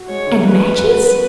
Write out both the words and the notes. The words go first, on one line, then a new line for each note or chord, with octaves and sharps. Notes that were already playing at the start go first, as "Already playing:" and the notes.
"And matches?"
Already playing: F#4
G#3 C#5
D3
C#4 B4
F#2
F#4
B3